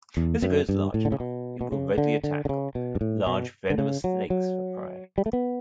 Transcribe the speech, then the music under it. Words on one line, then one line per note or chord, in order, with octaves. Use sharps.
As it grows large enough, it will readily tackle large venomous snakes for prey.
E2
F#2
G2
A2
D3
C#3
B2
B2
C#3
D3
D3
D3
C#3
B2
G2
A2
B2
D3
C#3
F#3
F#3
G3
A3
B3